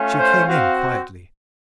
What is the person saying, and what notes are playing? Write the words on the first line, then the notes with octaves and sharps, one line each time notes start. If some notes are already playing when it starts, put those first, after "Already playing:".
She came in quietly.
Already playing: A3 C#4 F4
C5
C4 F#4 F5